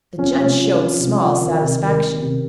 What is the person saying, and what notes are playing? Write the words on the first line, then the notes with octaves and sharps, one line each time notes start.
The judge showed small satisfaction.
F3 C#4
C3
F3
F3
C3
F3
D#3
C3
D#3
D#3
C3